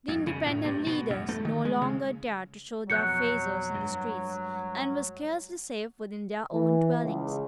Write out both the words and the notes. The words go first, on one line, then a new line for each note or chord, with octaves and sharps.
The Independent leaders no longer dared to show their faces in the streets, and were scarcely safe within their own dwellings.
F2
C#3
A2
G2
B2
F#2
A3
D#3
G#3
C#3
F2 B2 F#3 F#6 G6 C#7
G2 G#3
E3
C#2